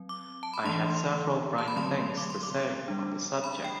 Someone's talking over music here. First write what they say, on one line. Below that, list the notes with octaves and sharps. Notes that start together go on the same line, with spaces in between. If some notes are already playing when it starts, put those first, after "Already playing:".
I had several bright things to say on the subject.
Already playing: F#3 C4
D6
A5
B5
E3 A3 D4 C6
A5
B5
D3 F#3 A3 C4 C6
D6
C6
D6
G3 D4
B5
G5